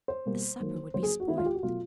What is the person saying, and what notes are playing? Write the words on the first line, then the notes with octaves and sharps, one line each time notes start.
The supper would be spoilt.
C5
B2 G3 A#3
D#3 F#3 A#3
D3 F#3 A#3 C5
G#4
F#4
D#3 G#3 E4
F4
G4
F#4
B2 F#3 A3 F4